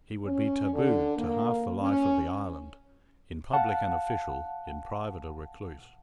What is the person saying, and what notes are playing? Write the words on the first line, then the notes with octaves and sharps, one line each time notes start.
He would be taboo to half the life of the island--in public an official, in private a recluse.
C#4
D3
A#3
C#4
F5 F#5 A5